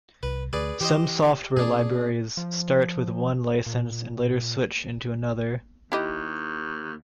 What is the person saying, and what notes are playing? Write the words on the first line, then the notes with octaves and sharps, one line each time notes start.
Some software libraries start with one license and later switch into another.
C2 B4
D2 G#4 B4 D5
E3 G4 C5 D#5
B2 A#3 C4 D4 G#4
F3
A#2
D#2 E4 G4 D#5